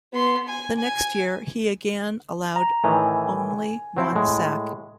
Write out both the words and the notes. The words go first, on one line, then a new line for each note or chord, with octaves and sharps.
The next year, he again allowed only one sack.
B3 C6
G#5
G#5
A#5
A2 D#3 E3 G#5
F#3 C4 E4
A2 G#3